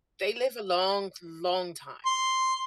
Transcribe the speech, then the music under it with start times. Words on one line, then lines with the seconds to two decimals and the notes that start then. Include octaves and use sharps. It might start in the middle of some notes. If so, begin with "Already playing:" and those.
They live a long, long time.
2.06 C6